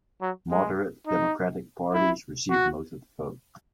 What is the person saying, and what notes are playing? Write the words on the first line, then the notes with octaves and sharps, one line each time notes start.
Moderate democratic parties received most of the vote.
F#3
G#3
D#4
E4
F#4